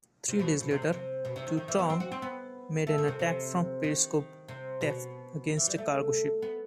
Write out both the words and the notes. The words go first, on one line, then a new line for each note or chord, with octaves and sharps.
Three days later, "Tautog" made an attack from periscope depth against a cargo ship.
C3
B2
B2
C3
C3
C3
B2
C3
D#3
D#3
E3
B3
C4
F#4
C4
B3
A3
D#3
C3
C3
D#3
C3
B2
E3
G3
A3
B3